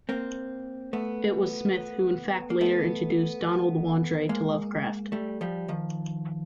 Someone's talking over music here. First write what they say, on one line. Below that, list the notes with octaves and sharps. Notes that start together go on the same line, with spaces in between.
It was Smith who in fact later introduced Donald Wandrei to Lovecraft.
A#3 C4
A3 B3
A#3
A3 B3
G#3 A#3
G3 A3
F3 G3
D#3 F3